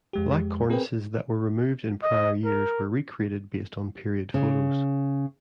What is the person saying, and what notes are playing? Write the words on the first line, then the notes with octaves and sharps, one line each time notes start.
Black cornices that were removed in prior years were recreated based on period photos.
F2 G#3 G4
C4 G#4 A#4 B4 G5
D#5
A#4
C#3